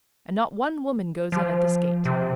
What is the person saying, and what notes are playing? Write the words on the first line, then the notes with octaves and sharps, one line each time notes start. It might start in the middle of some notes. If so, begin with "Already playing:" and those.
And not one woman goes in at this gate.
F3
C3